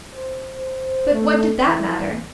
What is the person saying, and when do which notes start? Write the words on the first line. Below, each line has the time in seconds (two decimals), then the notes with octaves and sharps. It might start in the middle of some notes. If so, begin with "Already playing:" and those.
But what did that matter?
0.14 C5
1.12 A3
1.65 E3